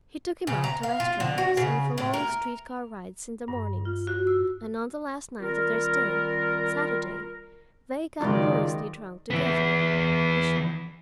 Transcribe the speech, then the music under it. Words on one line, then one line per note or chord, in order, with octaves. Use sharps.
He took him out to restaurants and for long street-car rides in the mornings, and on the last night of their stay, Saturday, they got gloriously drunk together--Mr.
C#3
A#5
F5
F4
D3
F#4
C#3
A2
A#4
G2
F4
F#4
E6
D#3 G3 C4 F4 A#4
C#2 F#2 D#3 G#3 D#4 F4 D5
E3 B3